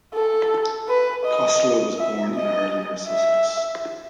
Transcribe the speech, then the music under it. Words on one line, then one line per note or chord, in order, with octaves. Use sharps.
Costello was born in Ireland or Sussex.
A4
B4
D#5
E5
D#5
E5